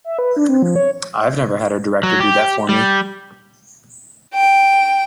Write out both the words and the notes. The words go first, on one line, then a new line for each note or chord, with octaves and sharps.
I've never had a director do that for me.
E5
B4
D4
C4
F3
C#5
F#3
G4
G3
G5